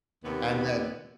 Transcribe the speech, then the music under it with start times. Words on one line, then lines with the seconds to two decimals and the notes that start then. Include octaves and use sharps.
And then
0.24 D#2 C3 B3